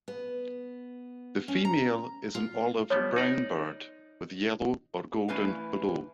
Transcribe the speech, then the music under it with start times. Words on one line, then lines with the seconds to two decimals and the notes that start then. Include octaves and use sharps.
The female is an olive brown bird with yellow or golden below.
0.08 B3
1.48 C#4
1.65 A#5
2.35 F4
2.90 F3 G3 B3 C#5
3.16 D#4 D5 A#5
5.28 E3 A3 C#4 B4 F5